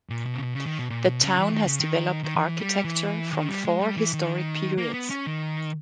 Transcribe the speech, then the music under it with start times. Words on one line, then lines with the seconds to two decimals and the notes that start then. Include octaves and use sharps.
The town has developed architecture from four historic periods.
0.10 A#2
0.26 B2
0.35 C#3
0.42 B2
0.54 C#3
0.66 D#3
0.79 B2
0.90 A#2
1.07 B2
1.23 C#3
1.39 E3
1.52 D#3
1.66 C#3
1.80 D#3
2.24 D#3
2.36 E3
2.60 G3
2.84 E3
3.33 D#3
3.49 G3
3.65 G#3
3.80 G3
3.97 E3
4.14 D#3
4.78 A#3
4.94 B3
5.10 C#4
5.27 D#3